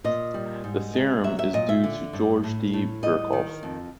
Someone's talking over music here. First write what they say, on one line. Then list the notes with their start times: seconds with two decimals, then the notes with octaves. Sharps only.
The theorem is due to George D. Birkhoff.
0.04 A#2 D#5
0.34 G3
0.64 G#2
0.94 G#3
1.24 F#3 E5
1.39 E5
1.53 A#2 D#5
1.69 E5
1.84 D3
2.13 G2
2.43 A2
2.73 A2
3.03 G3 D#5
3.33 D#3
3.63 F2